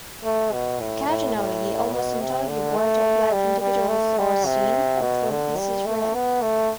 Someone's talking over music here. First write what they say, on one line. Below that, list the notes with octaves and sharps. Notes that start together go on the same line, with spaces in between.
Occasionally almost entirely white or black individuals are seen, although this is rare.
A3
B2
A2
A2
A2
B2
C3
D3
A3
G3
G3
A3
G3
C3
B2
D3
G3
A3
B3
A3